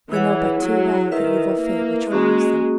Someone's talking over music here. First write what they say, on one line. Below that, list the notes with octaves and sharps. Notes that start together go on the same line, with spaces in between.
They know but too well the evil fate which follows them.
E3 E4 G#4 C#5 F#5
F#3
D#3 E4 B4 E5
A#3
G#3 A#3 C#4 F#4